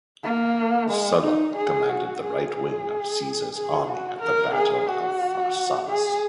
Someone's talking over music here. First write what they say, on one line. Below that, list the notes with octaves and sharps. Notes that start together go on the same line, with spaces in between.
Sulla commanded the right wing of Caesar's army at the Battle of Pharsalus.
A#3
G#3
D#4
G#4
F#4
G#4
G#4
G#4
F#4
A#4
G#4
F#4
G#4